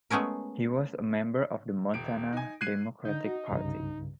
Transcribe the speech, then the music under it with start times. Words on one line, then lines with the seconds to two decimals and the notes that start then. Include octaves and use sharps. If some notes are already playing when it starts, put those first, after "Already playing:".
He was a member of the Montana Democratic Party.
0.10 G#3 A3 B3 C#4 A#4
1.94 D#1 D7
2.33 D#4 G#5
2.61 F#6 G#6 C7 D#7
3.05 D3 D#4 G6
3.25 F#4
3.51 C2 G2 C#3